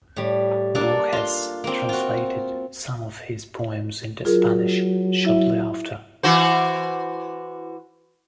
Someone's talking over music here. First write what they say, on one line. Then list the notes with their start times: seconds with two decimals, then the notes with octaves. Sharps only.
Borges translated some of his poems into Spanish shortly after.
0.16 A2 G3
0.75 A#3 D4 A4
1.13 F4 C6
1.64 A#3 C4
1.89 F4 F#4
4.25 F#3 F4 G#4 A#4
5.25 E4 E5
6.23 E3 F#4 C5